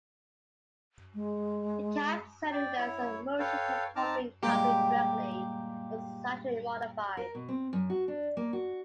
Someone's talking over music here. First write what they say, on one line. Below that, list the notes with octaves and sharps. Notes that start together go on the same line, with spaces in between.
The cab, cylinders, and motion had all been copied directly or slightly modified.
G#3
D5 G5
E4 C#5
A4 B4 C#5 F5 G5
C4 D#4 A5 A#5 D6 F6
A#2 G3 G#3 G4
A#4
B2
C4
F#2
F#4
D4
A#3
F#4